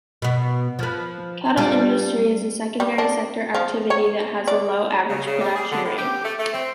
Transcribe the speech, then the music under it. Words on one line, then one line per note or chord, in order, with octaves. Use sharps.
Cattle industry is a secondary sector activity that has a low average production rate.
B2 B3
F3 B4
G3 D4 F4
G3
D4
F3
C#5
D5
C#3
C#3
G3
G#4
D3
A2
G4
A3
A3
C4